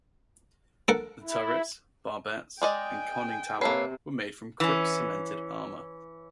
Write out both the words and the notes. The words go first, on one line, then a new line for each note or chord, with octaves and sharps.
The turrets, barbettes and conning tower were made from Krupp cemented armour.
A4 A#4 F#5
E4
G#3 D5 D#5 G5 G#5
C3 A#3 A4 B4 C#5 C7
E3 C#4